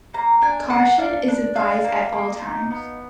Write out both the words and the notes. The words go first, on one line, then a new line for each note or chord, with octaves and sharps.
Caution is advised at all times.
A#3 A#5
D4 G#5
A#3 F#5
D4 F5
D4
D4 F5
A#3
A#3
D#4
B3